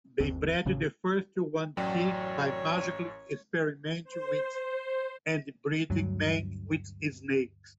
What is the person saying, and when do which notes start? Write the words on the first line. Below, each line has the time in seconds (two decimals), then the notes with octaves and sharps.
They bred the first yuan-ti by magically experimenting with and breeding men with snakes.
0.20 G1 D#2 C4
0.66 A1 C#3 C#4
1.77 A1 F#2 F#3 C#5 D5 G5
4.04 C5
5.90 D2 G2 F#3